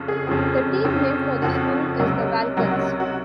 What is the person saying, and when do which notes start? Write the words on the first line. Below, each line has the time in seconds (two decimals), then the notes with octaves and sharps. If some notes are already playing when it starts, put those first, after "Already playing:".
The team name for the school is the Vulcans.
Already playing: F2 C#3
0.08 G#4
0.27 F2 C#3 F3 C4
0.85 F2 C#3 F3 C4
1.42 F2 C#3 F3 C4 F#4
1.99 C#2 C3 F#3 A#3 D#4
2.57 C#2 C3 F#3 A#3 D#4 F#4
2.71 F#4
3.00 F#4